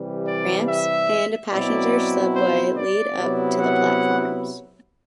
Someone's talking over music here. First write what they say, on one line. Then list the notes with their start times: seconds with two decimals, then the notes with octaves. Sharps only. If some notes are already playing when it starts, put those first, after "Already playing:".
Ramps and a passenger subway lead up to the platforms.
Already playing: C3 E3 G3
0.26 D5
0.68 E5
1.51 B2 F#3 C4 E4 D5
2.34 C5
2.76 D5
3.18 C3 F#3 B3 E4
3.59 F#5